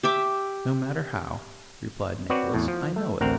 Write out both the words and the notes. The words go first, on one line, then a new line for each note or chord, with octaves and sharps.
'No matter how,' replied Nicholas, 'I know it.
G4 E5 D6
C4 F#4 B4 C#5 D5
E2 A2
F3
A3
A1 D2 C4 A#4 F#5